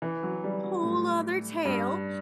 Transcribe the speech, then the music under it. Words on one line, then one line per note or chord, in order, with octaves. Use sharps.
whole other tale,
E3
F#3
G3
F#3
A2
G2